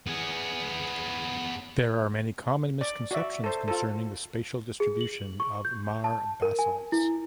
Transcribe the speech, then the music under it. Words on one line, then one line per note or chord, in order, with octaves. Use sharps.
There are many common misconceptions concerning the spatial distribution of mare basalts.
B3 G#4
D5
F#4 D5 E5
A4 C5
F4 A4
G#4
F#7
C#6
G6
A5
A#4
G#5
E4